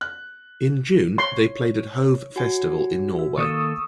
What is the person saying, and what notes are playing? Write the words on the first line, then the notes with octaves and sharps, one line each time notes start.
In June they played at Hove Festival in Norway.
F#6
C#5 C6
F#4 G#5
E5
D#3 A#3 A4 C#6 D#6 E6